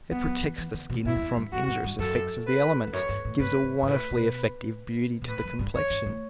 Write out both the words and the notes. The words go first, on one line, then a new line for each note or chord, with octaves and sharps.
It protects the skin from injurious effects of the elements, gives a wonderfully effective beauty to the complexion.
G3 B3
F#3
E3
E3
D3
B2
A2 E4
F#2
E2
G2
F#2 F#4
G2
G2
F#2 A4
B4
E2
F#2 C#5
G2
A2
G2 B4
G2
G2
A2 B4
B2
B2
A2 B4
F#2
G2
F#2 C#5
G2
A2